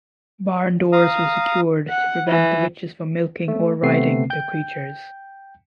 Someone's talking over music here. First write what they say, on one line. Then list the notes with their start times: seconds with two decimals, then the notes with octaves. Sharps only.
Barn doors were secured to prevent the witches from milking or riding the creatures.
0.93 F5 A#5 D#6
1.89 F#5
2.28 E3
3.48 A3
3.83 C3 A3 B3 C4 C7
4.30 G5 G6